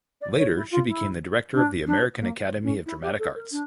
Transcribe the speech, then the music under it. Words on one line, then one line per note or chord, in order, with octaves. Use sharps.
Later she became the director of the American Academy of Dramatic Arts.
D5
C#5
E4
F4
E4
D4
D4
A#3
C#4
E4
G4
A4
A#4
D4